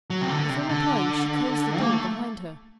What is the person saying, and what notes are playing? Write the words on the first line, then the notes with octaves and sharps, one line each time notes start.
Before replying she closed the door behind her.
F#3
C3
D3
C3
D3
A#3
A3